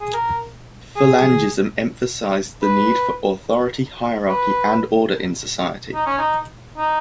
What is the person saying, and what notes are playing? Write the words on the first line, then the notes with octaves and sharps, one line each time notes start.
Falangism emphasized the need for authority, hierarchy, and order in society.
G#4
A#4
G#4
B4
B4
D#4
C#4
D#4
D#4